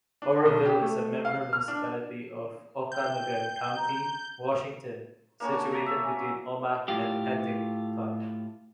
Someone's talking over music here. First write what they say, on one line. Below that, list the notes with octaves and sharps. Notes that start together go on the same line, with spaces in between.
Oroville is a member municipality of Okanogan County, Washington, situated between Omak and Penticton.
D4
B1
G4
A3
F5
F6
D4
G5 G6
A#5
A#3 D4 C#5 A5
F#4
A#5
E5
C#4
A2 F4 G4